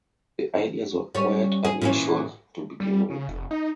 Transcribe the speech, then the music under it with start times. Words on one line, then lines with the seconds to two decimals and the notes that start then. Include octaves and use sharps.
The ideas were quite unusual, to begin with.
1.15 G3 C#4
1.65 G#4
1.82 A#2 E3 C#4
2.80 G3
3.10 C#3
3.28 F1
3.51 D#4